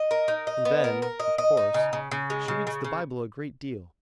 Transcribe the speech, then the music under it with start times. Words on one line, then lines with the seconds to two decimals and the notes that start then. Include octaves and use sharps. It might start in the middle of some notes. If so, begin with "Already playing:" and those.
And then, of course, she reads the Bible a great deal.
Already playing: D#5
0.11 A#4
0.28 D#4
0.47 D#5
0.65 B3
0.84 A#4
1.02 A#4
1.20 D#5
1.38 D#5
1.57 D#4
1.74 C#3
1.93 C#3
2.11 C#3
2.30 G#3
2.48 C#3
2.67 C#3
2.84 C#3